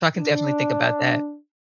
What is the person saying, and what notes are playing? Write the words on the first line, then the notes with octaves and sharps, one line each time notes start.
So, I can definitely think about that.
D4